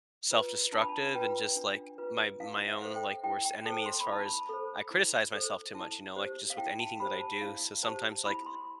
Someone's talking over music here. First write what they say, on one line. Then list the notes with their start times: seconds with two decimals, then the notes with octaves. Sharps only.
self-destructive and just, like, my my own, like, worst enemy, as far as I criticize myself too much, you know, like, just with anything that I do, so sometimes, like,
0.31 F4 B4
0.72 D4 A5
0.81 B5
0.89 A5
1.15 F4 B4 G5
1.56 D4
1.98 F4 B4
2.40 E4 F5
2.68 E5
2.82 A4 C5
2.96 G5
3.23 E4 G5
3.45 G5
3.65 A4 C5 A5
3.86 C6
4.00 B5
4.08 E4 A5
4.25 B5
4.49 A4 C5
4.91 E4
5.32 A4 C5
5.74 E4 A5
6.16 G4 C5
6.50 F5
6.58 E4 G5
6.79 A5
7.00 G4 C5 B5
7.20 A5
7.41 E4 F5
7.83 G4 C5 A5
8.25 E4 B5
8.46 C6